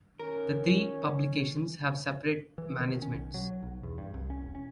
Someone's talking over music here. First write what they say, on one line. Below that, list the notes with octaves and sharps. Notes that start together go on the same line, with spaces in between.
The three publications have separate managements.
D#3 C#4 A#4
E3
D#3
C#4
B1
F#3
B1
E2
G2
C2
C#4
E1
C#4